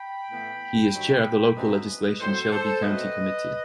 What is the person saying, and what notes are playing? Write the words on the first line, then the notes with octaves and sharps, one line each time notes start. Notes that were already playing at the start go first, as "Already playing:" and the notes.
He is chair of the Local Legislation Shelby County Committee.
Already playing: G5 B5
A2 E3 B3
G2 D#3 F#3
F#2 E3 A3 C4 B4 D#5
A2 F#3 C4 A4 C5
A4 C5
B2 F#3 A3 C4 B4 D#5